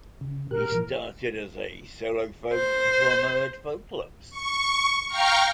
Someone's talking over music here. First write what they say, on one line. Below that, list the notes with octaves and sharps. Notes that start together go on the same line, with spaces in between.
He started as a solo folk performer at folk clubs.
C#3
A#2 G4 A#4 F#6
A#2 E3 F3
C5
C#6
F5 G5 A#5 C#6 F6